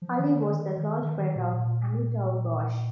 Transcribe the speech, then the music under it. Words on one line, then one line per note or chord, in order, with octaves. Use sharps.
Ali was the close friend of Amitav Ghosh.
F3
D#3
D3
D#3
D#3
D#3
D#3
A#2
A#2